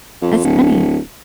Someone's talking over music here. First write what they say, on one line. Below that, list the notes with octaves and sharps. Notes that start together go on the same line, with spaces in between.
That's funny.
F2
D1